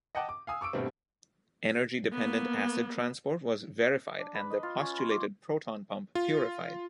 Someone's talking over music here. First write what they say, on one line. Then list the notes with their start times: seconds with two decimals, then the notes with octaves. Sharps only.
Energy-dependent acid transport was verified and the postulated proton pump purified.
0.15 D#5 F#5 G5 A5 D6
0.29 D6
0.47 F5 G#5 D#6 E6
0.61 C#6 D6 E6 D7
0.73 D#1 G2 B2 A3 C4
2.13 A#3 B3
4.19 D4
4.35 B4
4.50 D#5
4.63 F4
4.81 C#4
4.99 C6
5.11 D6
6.15 F4